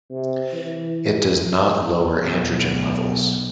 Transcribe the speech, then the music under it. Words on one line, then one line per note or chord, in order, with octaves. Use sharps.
It does not lower androgen levels.
C3
E3
B1